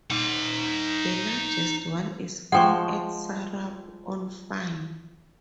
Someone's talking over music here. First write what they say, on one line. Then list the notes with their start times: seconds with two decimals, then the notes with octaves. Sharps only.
The largest one is found at Sarup on Fyn.
0.10 D#4 F#5
2.52 F3 G#3 F#5 G5 C#6